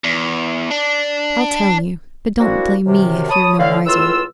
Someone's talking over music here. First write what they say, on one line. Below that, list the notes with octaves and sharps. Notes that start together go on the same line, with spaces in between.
I'll tell you, but don't blame me if you're no wiser.
E2
D4
A#3 C4 D4 E4 F#4
F#2 C3 D#3
C#5 A5 B5 D#6
A2 D3 F5
C#2 A2 E3 F4 E6